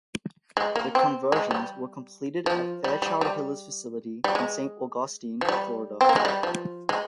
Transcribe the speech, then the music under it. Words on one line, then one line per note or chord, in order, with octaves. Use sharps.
The conversions were completed at Fairchild-Hiller's facility in Saint Augustine, Florida.
G#3
A#3
C4
G#3
G3
F3
G3
G3
G3
G3
G#3
F3
G3
C4
A#3
G#3
G3
F3
G#3